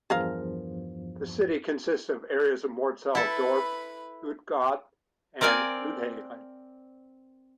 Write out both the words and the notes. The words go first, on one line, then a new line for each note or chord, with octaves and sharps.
The city consists of the areas Mortsel-Dorp, Oude-God and Luithagen.
E2 G2 F3 G#4 A#4 F5
E4 A4 B4 B5
C4 A#4 D5 F5 G#5